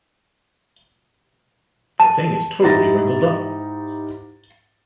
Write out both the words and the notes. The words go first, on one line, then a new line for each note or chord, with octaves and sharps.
The thing is totally wrinkled-up.
A5
G#2 D#4 E4 G4 A6 A#6